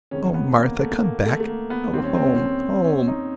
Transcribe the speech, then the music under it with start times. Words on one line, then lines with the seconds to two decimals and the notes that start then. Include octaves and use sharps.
Oh, Martha, come back! Oh, home, home!'
0.11 F2 C3 D#3 G#3 C#4
0.34 B3
0.58 A#3
0.79 A3
1.03 A#3
1.26 A3
1.40 A3
1.48 A#3
1.70 B3
1.93 D#2 D#3 G3 C4
2.04 C#4
2.15 C4
2.26 C#4
2.36 C4
2.84 C#4
3.08 D#4